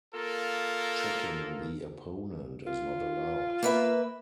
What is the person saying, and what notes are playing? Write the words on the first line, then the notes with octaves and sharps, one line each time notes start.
Checking the opponent is not allowed.
A#3 F4 A4 A#4
F4
A#3 B4 E5